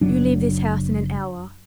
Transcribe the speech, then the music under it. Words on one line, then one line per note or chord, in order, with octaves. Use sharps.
You leave this house in an hour.
F#1 F#3 D4